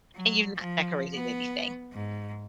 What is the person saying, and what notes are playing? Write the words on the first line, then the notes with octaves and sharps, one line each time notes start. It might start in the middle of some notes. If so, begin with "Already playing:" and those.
and you've not decorated anything.
F#3
F3
B3
G#2